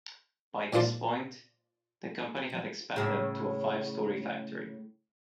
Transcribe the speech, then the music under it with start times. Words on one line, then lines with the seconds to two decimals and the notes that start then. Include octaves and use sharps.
By this point, the company had expanded to a five-story factory.
0.73 A#2 D#4 F4 C5 A5
2.96 A2 C#3